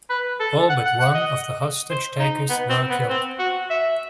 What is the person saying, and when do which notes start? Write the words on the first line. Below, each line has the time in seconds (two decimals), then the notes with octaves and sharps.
All but one of the hostage-takers were killed.
0.10 B4
0.40 A4
0.69 F#5
0.85 F#5
0.99 F#5
1.14 D#5
1.90 C5
2.19 D#4
2.49 B3
2.69 C4
2.90 B3
3.09 C4
3.39 F#4
3.70 E5